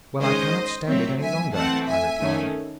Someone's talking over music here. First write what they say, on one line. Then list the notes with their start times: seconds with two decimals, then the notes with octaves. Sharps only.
"Well, I cannot stand it any longer," I replied.
0.21 D#3 G#3 C#4 C5 D#5
0.87 A2 F#3 C4 C#5 E5
1.20 E5 G#5
1.54 E3 A3 C4 F#5 A5
1.87 E5 G#5
2.21 D#3 A3 C#4